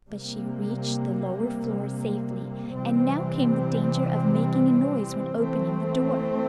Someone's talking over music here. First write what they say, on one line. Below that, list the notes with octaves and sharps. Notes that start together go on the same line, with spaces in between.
But she reached the lower floor safely, and now came the danger of making a noise when opening the door.
C3 G3 A#3
C3 E3 G3 C4
E3 A3 C4